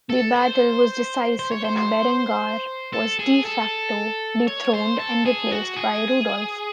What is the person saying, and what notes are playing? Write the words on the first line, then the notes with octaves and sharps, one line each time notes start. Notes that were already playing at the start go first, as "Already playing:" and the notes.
The battle was decisive and Berengar was "de facto" dethroned and replaced by Rudolf.
A4
C5
C5
C#5
C5
C5
A4
G#4
A4
C#5
C5
A4
G#4
F#4
G#4